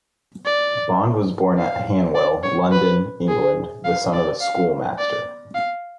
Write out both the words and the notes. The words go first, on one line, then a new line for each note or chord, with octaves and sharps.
Bond was born at Hanwell, London, England, the son of a schoolmaster.
D5
F5
D5
C#5
B4
G#4
F5
D5
F5
D5
F5